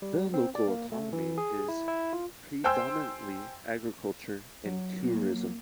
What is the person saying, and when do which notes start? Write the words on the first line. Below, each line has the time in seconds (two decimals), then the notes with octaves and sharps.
The local economy is predominately agriculture and tourism.
0.02 G3
0.34 C4
0.55 D5
0.68 A#3
0.92 A3
1.13 E3
1.38 G#4
1.68 E4
1.88 E4
2.13 F4
2.64 C5 G5 G#5 C6 E6 G6
4.66 F#3
4.99 A#3